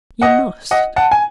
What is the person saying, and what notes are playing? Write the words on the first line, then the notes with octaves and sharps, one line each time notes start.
You must.
D#5 F#5
D#5 F#5
F#5 A5
G#5